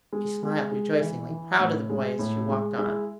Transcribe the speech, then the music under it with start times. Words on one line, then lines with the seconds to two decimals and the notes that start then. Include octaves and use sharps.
She smiled rejoicingly, proud of the boy, as she walked on.
0.13 G#3
0.43 G#3
0.72 G#3
1.01 E3
1.30 E3
1.60 A2
1.90 G#3
2.19 A2
2.49 G#3
2.78 G#3 E4 E5